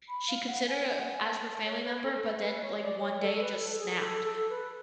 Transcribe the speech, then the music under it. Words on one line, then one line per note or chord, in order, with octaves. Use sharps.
she considered, uh as her family member, but then, like, one day it just snapped
B5
F5
F#5
G#5
G#5
F#5
G#5
A5
C#5
B4
A4
B4
B4
C#5
D5
C#5
A4
B4
A4
G#4
A4
A4
B4